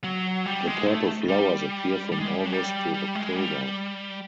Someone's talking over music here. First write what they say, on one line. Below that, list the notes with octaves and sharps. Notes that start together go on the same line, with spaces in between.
The purple flowers appear from August to October.
F#3
G3
G#3
A3
G3
G3
G#3
G3
F#3
G3
G3
G#3
G3